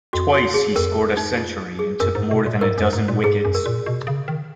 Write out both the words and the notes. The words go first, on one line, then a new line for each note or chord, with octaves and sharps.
Twice he scored a century and took more than a dozen wickets.
F2 F#4
F#4
G#4
F2 A#4
D#4
F4
G#4
F#2 A#4
G#2
B2
A#2
G#2 A#4
F#2
G#2
A#2
G#2 G#4
F#2
A#4
A#2
B2
C#3
D#3